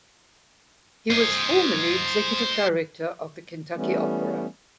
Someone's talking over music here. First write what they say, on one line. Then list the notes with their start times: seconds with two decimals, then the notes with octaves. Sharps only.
He was formerly executive director of the Kentucky Opera.
1.10 C5 D#5
3.76 E3 G3 A3 B3 C#4